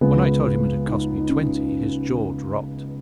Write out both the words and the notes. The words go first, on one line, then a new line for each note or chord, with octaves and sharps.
When I told him it had cost me twenty, his jaw dropped.
C#2 C#3 G#3 B3
D#4
D#4
C#4